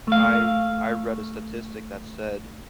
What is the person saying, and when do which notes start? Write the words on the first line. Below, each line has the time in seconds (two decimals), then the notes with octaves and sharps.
I re I read a statistic that said
0.08 A3 F5